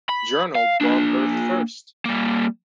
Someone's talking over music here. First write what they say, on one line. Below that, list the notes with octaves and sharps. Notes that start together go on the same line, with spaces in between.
Journal brought Earth First!
B5
F5
A#3 D4
G3 A#3